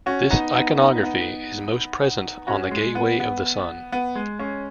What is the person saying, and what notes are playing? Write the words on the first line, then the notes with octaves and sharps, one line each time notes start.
This iconography is most present on the Gateway of the Sun.
C#4 F#4
B3 D#4
B3 D#4
B3 D#4
B3 D#4
C#4 F#4
G#3
B3
B3
B3
G#3
G#3 C#4